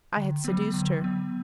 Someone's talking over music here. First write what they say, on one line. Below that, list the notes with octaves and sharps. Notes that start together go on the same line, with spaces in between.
I had seduced her.
D3
F#3 B3
D3
F#3 B3